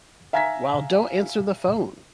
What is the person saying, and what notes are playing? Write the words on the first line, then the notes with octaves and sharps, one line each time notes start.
While Don't Answer the Phone!
E5 F5 G#5 A#5 G#6 B6